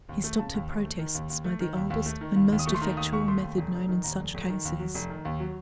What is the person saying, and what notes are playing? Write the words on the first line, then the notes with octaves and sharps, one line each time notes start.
He stopped her protests by the oldest and most effectual method known in such cases.
D#2
A3
C#3 A5
D#2
D#2
A3
D#3
D#2
D#2
A3
D#3
D#2
D#2
A3
D#3
D#2
D#2
D#6
A3 C#6
C6
D#3 A#5
D#2 D#6
D#2 C#6
A3 C6
D#2
F1
F1
D#3
D#2 A#5
F1
F1
D#3
D#2
F#3
F1
D#3
D#2
F#3